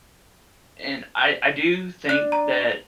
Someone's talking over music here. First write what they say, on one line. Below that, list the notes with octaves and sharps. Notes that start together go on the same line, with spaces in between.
and I I do think that
D4 F#6
A#5